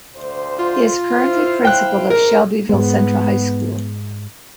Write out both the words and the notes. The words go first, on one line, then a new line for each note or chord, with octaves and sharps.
He is currently Principal of Shelbyville Central High School.
D2 C5
F4
E4 C5 F5
G5 F#6
G#2 A#4
G#2 G#3 B3